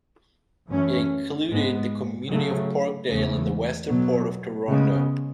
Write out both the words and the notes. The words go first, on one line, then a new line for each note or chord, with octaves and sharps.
It included the community of Parkdale in the western part of Toronto.
F#2 E3 A3 C#4
G#2 G#3 B3
C#3 F#3 A3
E2 C#3 E3 A3
B2 F#3 B3
C#3 G#3 B3